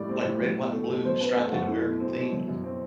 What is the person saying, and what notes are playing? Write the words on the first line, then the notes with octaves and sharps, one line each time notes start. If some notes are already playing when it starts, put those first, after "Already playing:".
like, red, white, and blue, striped, American themed.
Already playing: A2 G3 D5
C4
A2
F#3
B2
A3
B2
F#3 C5
C4 B4
A3 A4
F#2 F#4
A3 E4
B2
C4
B2
F#3
F#2
C4